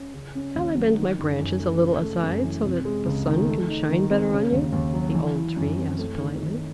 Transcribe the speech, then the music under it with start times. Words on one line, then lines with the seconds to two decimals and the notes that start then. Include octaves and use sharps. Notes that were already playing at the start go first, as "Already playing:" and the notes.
"Shall I bend my branches a little aside so that the sun can shine better on you?" the Old Tree asked politely.
Already playing: C#4
0.14 C#3
0.35 C#4
0.55 D#2
0.76 F#3
0.98 D#3
1.18 F#2
1.39 F#2
1.59 A3
1.81 C#3
2.02 A3
2.23 F#2
2.43 E3
2.65 C3
2.85 G#3
3.06 C#2
3.28 D#3
3.48 A3
3.68 D#4
3.89 D#3
4.10 C4
4.32 C#3
4.52 D#2
4.73 D#2
4.94 F#3
5.15 E3
5.36 E4
5.56 F#2
5.78 C4
5.99 A3
6.19 D#3
6.40 D#3